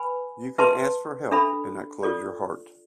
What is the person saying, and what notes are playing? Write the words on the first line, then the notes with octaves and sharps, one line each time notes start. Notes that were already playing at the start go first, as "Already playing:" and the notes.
You can ask for help and not close your heart.
Already playing: B4 G#5 B5
B4 E5 A5 C6
D4 A4 E5 B5
F4 A4 D5